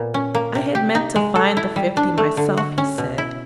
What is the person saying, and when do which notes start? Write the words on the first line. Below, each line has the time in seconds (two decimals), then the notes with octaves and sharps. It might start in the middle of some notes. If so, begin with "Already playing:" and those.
'I had meant to find the fifty myself,' he said.
Already playing: A#2 B3
0.14 C#4
0.35 A#3
0.55 C3
0.75 G4
0.95 D#4
1.16 G#3
1.36 A4
1.57 E4
1.76 G3
1.97 D4
2.18 A3
2.37 D3
2.57 F#4
2.78 C#4
2.98 B2
3.18 E4